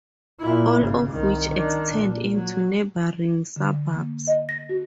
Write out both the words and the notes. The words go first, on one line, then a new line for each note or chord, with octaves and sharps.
All of which extend into neighbouring suburbs.
A#2 E4
G#1 C#3
C2 D#3
D#3 D4
A#2
F#3
D3
A#3
D#5
A#6
F#4